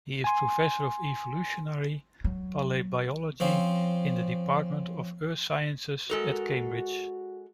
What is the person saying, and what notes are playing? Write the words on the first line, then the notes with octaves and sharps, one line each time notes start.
He is professor of evolutionary palaeobiology in the Department of Earth Sciences at Cambridge.
G#5 C6
F#3
F3 C4 C#4
G#3 F#4 A4 A#4